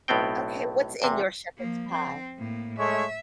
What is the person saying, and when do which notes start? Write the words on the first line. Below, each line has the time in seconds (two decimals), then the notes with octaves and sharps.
Okay, what's in your shepherd's pie?
0.08 B1 A2 B3 C4 G5
1.02 E2 C3
1.57 F3 A#3
1.91 C4
2.38 A2 A#3
2.79 G#3 A3 C#5 E5